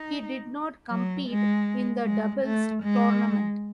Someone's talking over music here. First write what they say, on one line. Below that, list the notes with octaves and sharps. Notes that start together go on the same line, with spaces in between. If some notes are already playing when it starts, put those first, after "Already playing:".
He did not compete in the doubles tournament.
Already playing: D#4
F#3
G#3
G#3
A3
G#3